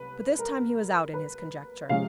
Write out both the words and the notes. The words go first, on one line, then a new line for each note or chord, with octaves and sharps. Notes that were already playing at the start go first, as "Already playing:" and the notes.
But this time he was out in his conjecture.
Already playing: C2 B4
A#4
B4
C3 F3 G#3 C#4 F5